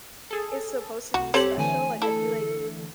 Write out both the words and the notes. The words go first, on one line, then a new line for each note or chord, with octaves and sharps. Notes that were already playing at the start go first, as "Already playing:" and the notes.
it's supposed to be special, like, I feel like
G#4 A4
C2 F#4
C4 G4 A4 C5 C#5 F#7
D3 E3 A3 G#5
E4 A4 A5